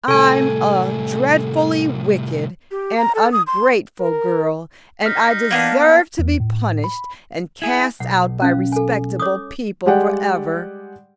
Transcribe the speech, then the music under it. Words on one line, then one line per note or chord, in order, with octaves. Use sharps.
I'm a dreadfully wicked and ungrateful girl, and I deserve to be punished and cast out by respectable people forever.
C2 A2 A4 G#5
G4
A#5
A4
D#6
C6
A#4
D#4 F6 B6
A#3 B3 D4
E2
A2
B5
E4 G#4
B1 F#5
C#4 F5
A4 G#5
C#5 D6 D#6
G3 G#3 G4 D5 F#5 G5